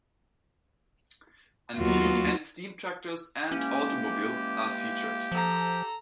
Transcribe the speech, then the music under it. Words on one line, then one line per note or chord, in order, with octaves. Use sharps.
Antique and steam tractors and automobiles are featured.
D#2 F#3 B3 F4 F#4
E3 G#3 A#3 C#4 G4
F3 A4 A#5